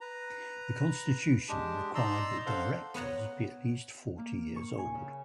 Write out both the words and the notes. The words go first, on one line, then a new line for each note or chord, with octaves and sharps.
The Constitution required that Directors be at least forty years old.
B4 A#5
G#3 D4 G4
D#4 D5 A#5 C6 E6
A4 C5 F5 F#5 C6
B3 C#5 F#5 A#5
A#3
C#6
G#5
C#3